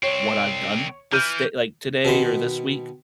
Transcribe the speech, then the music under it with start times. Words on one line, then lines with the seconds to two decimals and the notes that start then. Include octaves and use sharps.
what I've done this day like, today or this week?"
0.03 C2 C4 C#5
1.13 E3 F6 G6 D#7
2.05 B2 D#3 B5 C6